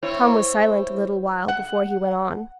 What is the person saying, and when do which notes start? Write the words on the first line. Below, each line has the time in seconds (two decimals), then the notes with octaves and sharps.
Tom was silent a little while before he went on.
0.03 C4 E4 C#5
1.48 F#5